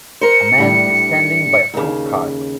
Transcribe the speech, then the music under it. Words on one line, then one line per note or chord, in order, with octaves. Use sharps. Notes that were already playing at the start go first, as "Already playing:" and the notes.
A man is standing by a fruit cart.
A#4 C5 C#7
A2 G3 D4
D#2 C#3